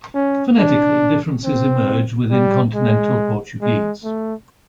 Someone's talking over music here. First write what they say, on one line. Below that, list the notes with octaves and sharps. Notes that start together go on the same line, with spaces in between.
Phonetically, differences emerge within Continental Portuguese.
C#4
D4
C4
G3
G#3
G#3
A3